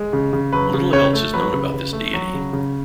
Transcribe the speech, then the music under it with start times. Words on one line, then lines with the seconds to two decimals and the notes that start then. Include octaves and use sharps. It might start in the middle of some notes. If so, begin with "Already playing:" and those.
Little else is known about this deity.
Already playing: G#3
0.13 C#3
0.33 C#3
0.53 F#3 B4
0.74 C#3
0.93 C#3 C#5
1.13 A3
1.34 F#3 B4
1.53 C#3
1.74 C#3
1.93 A3
2.14 F#3
2.34 C#3
2.53 C#3